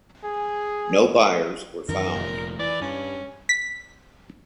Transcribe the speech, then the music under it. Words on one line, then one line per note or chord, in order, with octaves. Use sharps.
No buyers were found.
G#4
F#2 D#3 E3 A#4
F1 A#2
E3 D5
G2 C#4
B6